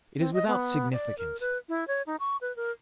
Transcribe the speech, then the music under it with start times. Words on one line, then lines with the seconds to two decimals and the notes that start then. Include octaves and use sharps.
It is without significance!
0.18 C4
0.34 D#5
0.47 B3
0.93 D5
1.18 A#4
1.40 B4
1.69 E4
1.88 C#5
2.07 D#4
2.20 C#6
2.41 B4
2.56 A#4